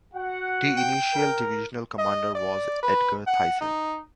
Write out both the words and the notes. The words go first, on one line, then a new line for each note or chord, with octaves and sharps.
The initial divisional commander was Edgar Theisen.
F#4 F#5
G5
A#4
D#5
D5
B4
F#5
D#4